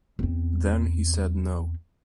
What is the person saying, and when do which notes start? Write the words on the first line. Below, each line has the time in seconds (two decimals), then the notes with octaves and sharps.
Then he said no.
0.19 E2 C4